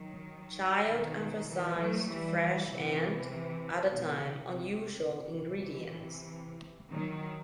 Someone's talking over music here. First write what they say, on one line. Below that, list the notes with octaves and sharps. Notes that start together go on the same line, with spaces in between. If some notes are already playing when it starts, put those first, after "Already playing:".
Child emphasized fresh and, at the time, unusual ingredients.
Already playing: D#3 F#3
B2 D#3
E3 G3
F#3 A3
E3 G3
C3 E3
B2 D#3
C3
C3
C3 E3
D#3 F#3